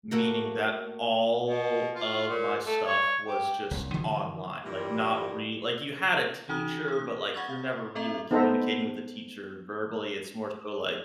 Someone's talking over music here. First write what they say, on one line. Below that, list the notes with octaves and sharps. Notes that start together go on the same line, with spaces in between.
meaning that all of my stuff was just online. Like, not re like, you had a teacher, but, like, you're never really communicating with the teacher verbally, it's more so, like,
A3 A#3 F#4
B2
F4
A#2
A3
C#5
G4
F#1 C2
D3 E3 F3 G3
G2 A#2 E3 G3
E3 D#4 F#4 A#5 D#6
G#4 D#6
F5 F#5 B5 C#6 G#6 A6
F5
C4 A4 D#5 E5 A#5
B3 D#4 A4 C5 E5 A#5